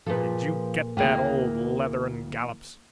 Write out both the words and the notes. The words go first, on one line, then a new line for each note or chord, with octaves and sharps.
Did you get that, old Leather-and-Gallops?'
A#2 F3 G#4 A4 B4
D2 E3 A#3 G#4 G5